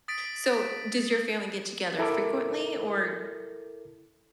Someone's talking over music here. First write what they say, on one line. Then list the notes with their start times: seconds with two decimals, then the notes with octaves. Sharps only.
so, does your family get together frequently or
0.08 D#6 A6 B6 D7
1.99 E4 A4 A#4 D6